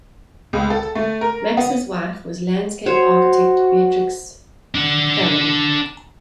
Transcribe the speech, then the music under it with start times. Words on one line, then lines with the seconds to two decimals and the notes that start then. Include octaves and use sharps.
Max's wife was landscape architect Beatrix Farrand.
0.53 C#2
0.70 A4
0.95 A3
1.21 A#4
1.57 B3
2.86 F#4 C5 C#5
4.75 D4 F#5